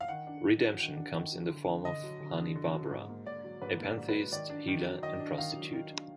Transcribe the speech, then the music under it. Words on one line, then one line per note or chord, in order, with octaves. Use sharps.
Redemption comes in the form of Honey Barbara - a pantheist, healer and prostitute.
F5
D#3 F#5
D4
D#3
F#3
D#3
D4
D#3
F#3
D3
D4
D3 D#5
F#3
D3
D4
D3
F#3
G#2
A#3
G#2 D5
F#3
G#2 B4
A#3
D5
G#2
B4
F#3
D#3 D5
D4
D#3
F#3
D#3 D#5
D4
D#3 F5
F#3
D#3
D4